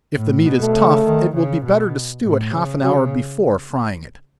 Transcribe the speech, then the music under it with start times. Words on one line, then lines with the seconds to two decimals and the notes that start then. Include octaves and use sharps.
If the meat is tough, it will be better to stew it half an hour before frying it.
0.17 A2
0.45 B2
0.61 A3
0.75 C#3
1.06 D#3
1.35 C#3
1.64 B2
2.23 A2
2.52 C#3
2.82 C#3 F#3